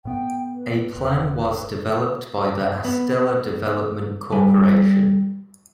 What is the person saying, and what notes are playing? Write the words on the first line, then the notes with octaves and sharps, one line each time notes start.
A plan was developed by the Astella Development Corporation.
A2 B3 G5
B4
E1
B3
G3 G4 B4 G#5